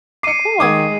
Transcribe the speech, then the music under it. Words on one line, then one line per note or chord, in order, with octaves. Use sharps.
Oh, cool.
D6 C7 C#7 D#7
D#3 G#3 D6 D#6 G#6 D#7